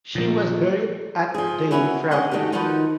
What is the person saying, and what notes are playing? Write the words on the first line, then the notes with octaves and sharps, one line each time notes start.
She was buried at the in Frankfurt.
A#2 F3
F3 G#4
B3 C#4 E4 F#4 G4 A#4
A#3 C#4 D4 D#5 F#5
D#3 A3 D#4 F#4 G4
D#3 F3 D#4 F#4 A#4 B4